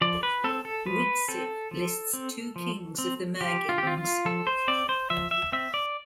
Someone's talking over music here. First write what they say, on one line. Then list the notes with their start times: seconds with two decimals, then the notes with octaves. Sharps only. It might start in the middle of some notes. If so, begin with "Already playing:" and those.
Widsith lists two kings of the Myrgings.
0.01 F3 D5
0.23 B4
0.44 C4 A4
0.65 A4
0.86 F3 B4
1.28 C4 A4
1.71 F3
2.13 C4
2.56 F3
2.98 C4
3.41 F3 G4
3.69 F4
3.78 G4
3.83 C4 F4
3.98 F4
4.25 F3 A4
4.47 C5
4.68 C4 D5
4.89 C5
5.10 F3 E5
5.31 E5
5.52 C4 E5
5.74 D5